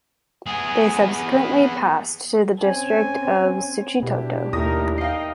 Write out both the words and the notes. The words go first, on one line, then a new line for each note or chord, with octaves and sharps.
They subsequently passed to the district of Suchitoto.
B3 G#4
C4 C#4 G#5
B2 D4 E4 G4
D#2 A2 D#4 A#4 D#6 A#6
D#4 D#5 F5 G5 C7